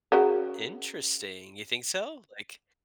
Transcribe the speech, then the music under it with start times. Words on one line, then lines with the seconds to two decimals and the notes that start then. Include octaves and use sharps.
Interesting, you think so? Like,
0.12 C#3 F#4 A#4